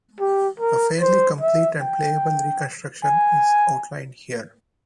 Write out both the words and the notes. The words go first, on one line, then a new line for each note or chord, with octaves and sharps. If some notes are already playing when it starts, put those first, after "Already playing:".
A fairly complete and playable reconstruction is outlined here.
G4
A#4
C5
E5
G5
G#5